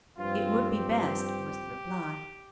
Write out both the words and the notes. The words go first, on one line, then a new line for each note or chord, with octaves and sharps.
"It would be best," was the reply.
G2 F3 C4 F4
G4